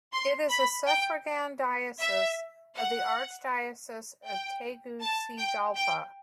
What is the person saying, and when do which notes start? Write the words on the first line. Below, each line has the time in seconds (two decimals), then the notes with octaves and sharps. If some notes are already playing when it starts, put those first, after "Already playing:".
It is a suffragan diocese of the Archdiocese of Tegucigalpa.
0.12 C6
0.50 B5
0.87 G5
2.00 E5
2.75 F#5
4.25 G5
5.01 A5
5.38 G5
5.76 G5